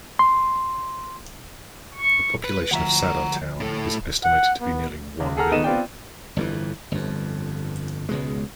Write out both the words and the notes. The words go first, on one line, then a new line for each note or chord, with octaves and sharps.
The population of Saddar Town is estimated to be nearly one million.
C6
C#6
B4
D2 F3 E5 F#5 A#5
A2 A4
F#5
B3
C#2
G#4 A4 F#5 A#5 F6
G#1 B3 D#4 D#7 E7
B3 C4 F4 D5 G5
G1 F2 C#3 E3
G1 F2
C#2 B2 G#3